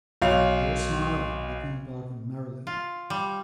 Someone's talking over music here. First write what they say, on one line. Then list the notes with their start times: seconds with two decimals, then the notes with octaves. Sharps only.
Pierre smiled, looking about him merrily.
0.22 B1 F5
2.67 F4
3.10 G3